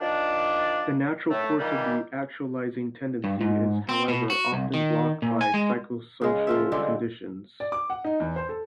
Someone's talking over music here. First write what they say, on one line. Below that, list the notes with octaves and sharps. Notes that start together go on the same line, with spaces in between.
The natural course of the actualising tendency is, however, often blocked by psychosocial conditions.
D#3 F3 D4
A2 A3
A#2 D#3 E3 G3
G2
G#2
C4
B2
F#4
C2
D#3
A#2
G#5
G#3
C#3 G#3
F3 F4 E5
D3 G3 G#3 C4
D5
D6
F#5
D#4
E2
C5
A4